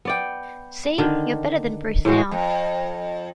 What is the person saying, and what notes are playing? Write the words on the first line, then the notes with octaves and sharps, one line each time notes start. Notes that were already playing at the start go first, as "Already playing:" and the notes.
See! You’re better than Bruce now.
B3 D5 G5
D3 D#3
A2 E3 G#3 F#4
F2